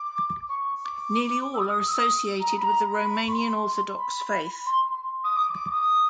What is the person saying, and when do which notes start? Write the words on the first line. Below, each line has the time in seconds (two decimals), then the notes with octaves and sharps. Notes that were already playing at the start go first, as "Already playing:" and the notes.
Nearly all are associated with the Romanian Orthodox faith.
Already playing: D6
0.49 C#6
0.84 D6
1.54 E6
1.57 D#6
1.87 E6
1.91 D#6
2.40 A#5
2.57 B5
2.61 A#5
2.93 B5
3.27 C#6
3.32 C6
3.97 B5
4.66 C6
5.24 D#6
5.36 D6
5.54 D6
5.71 D#6